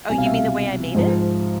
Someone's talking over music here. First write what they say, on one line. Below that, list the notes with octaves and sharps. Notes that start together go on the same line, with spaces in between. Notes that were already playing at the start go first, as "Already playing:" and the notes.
Oh, you mean the way I made it?
C2 B2 G#5
F5
E5
F5
G#2 F3